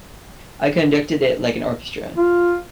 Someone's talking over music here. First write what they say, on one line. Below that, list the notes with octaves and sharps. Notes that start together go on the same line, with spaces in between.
I conducted it like an orchestra.
F4